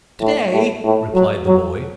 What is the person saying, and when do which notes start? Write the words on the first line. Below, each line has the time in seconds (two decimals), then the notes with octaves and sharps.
"To-day!" replied the boy.
0.21 A2
0.52 A2
0.84 A2
1.15 F#3
1.47 F#3